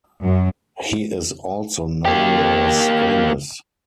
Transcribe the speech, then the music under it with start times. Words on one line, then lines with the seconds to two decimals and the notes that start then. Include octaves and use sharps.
He is also known as Anis.
0.23 F#2
2.05 A#3 G4